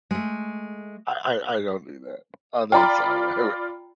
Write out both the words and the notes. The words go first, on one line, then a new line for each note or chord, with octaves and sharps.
I I I don't do that. Oh, no I'm sorry. I
G#3 A3
F4 D5 G5 A#5 B5